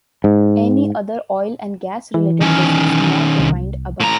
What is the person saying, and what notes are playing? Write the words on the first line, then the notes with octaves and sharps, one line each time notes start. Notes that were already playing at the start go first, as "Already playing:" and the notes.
Any other oil and gas related business not defined above.
G#2
E3
D#3 C#4
C2
A2 A#5